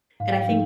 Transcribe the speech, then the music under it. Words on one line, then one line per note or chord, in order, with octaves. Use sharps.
and I think
G#2 F5
G5
F5
F3 G#3 D#4